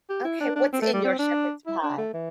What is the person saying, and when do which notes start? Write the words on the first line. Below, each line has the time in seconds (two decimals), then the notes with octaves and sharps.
Okay, what's in your shepherd's pie?
0.10 G4
0.25 E4
0.41 D4
0.56 D4
0.73 C4
0.82 A3
0.94 G3
1.04 C4
1.19 D4
1.67 E4
1.83 D4
1.98 A3
2.14 E3